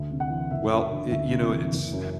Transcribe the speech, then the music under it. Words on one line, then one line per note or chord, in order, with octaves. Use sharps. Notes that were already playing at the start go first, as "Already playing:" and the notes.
well, it you know, it's
Already playing: D2
C3
F#5
E3
F#1 E5
F#2
E5
D3
D2 E5
C3
E3
F#1
F#2